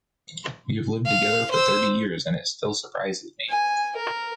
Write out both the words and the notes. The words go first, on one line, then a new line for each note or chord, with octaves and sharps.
We have lived together for thirty years and it still surprises me.
F5
C5 E6
G#5
A#4